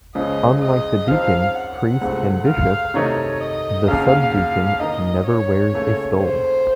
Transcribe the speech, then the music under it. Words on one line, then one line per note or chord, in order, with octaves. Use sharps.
Unlike the deacon, priest, and bishop, the subdeacon never wears a stole.
C#2 C#3 F3 D#5
D#5
F#2 F3 C4 D#4 F5
F#5
C#2 C3 F3 A3 C4
F5
C3 D#3 A3 D#4 C#5
D#5
D#2 C#3 F#3 F5
F5
F#2 D#3 A#3 D#4 D#5
C#5
D#2 C#3 A3 C#4
C5